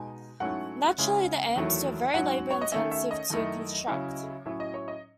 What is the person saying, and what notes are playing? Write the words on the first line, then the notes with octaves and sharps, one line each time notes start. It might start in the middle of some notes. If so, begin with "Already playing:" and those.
Naturally, the amps were very labor intensive to construct.
Already playing: B2 G#3 D#4 G#5
G#2 F#3 A3 C#4 E4 F#5
C#3 G#3 C#4 E4
E2 D#3 F#3 A3 E4
G#2 F#3 C#4 F#5
C#5
D#5
D#3 A3 C#4 E5
E5
D#5
F#2 D#3 A3 E4
C#3 F#3 C#4 E4
A2 F#3 C#4 E4 E5
D#5
C#5
D#5